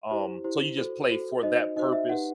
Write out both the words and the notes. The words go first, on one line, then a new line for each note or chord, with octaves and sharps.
um, so you just play for that purpose,
E4 G4 C5
E4 G4 C5
F#4 A4 C5
F#4 A4 C5
D#4 F#4 C5 D#5
D#4 F#4 C5 D#5
E5
D#4 G4 B4 F#5